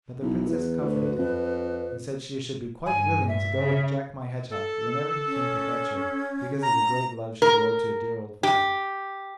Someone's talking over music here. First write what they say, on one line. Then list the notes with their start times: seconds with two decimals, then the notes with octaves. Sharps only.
But the Princess comforted him, and said she should be quite willing to go with Jack my Hedgehog whenever he came to fetch her, because of the great love she bore to her dear old father.
0.22 B1 E4
0.49 E2 B4
0.81 D2
1.19 F2
2.86 G2 G#5
3.28 E5
3.59 C#3
4.50 A4
5.26 C#4
6.62 A#5
7.42 A#4
8.43 G4